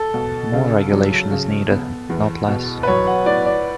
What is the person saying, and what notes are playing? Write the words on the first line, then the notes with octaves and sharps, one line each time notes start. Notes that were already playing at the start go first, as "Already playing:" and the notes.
More regulation is needed, not less.
Already playing: A4
B2
C#3
F#3
C#3
B3
E2
B2
B4
F#3 C#5
F#5
A2 D5
D5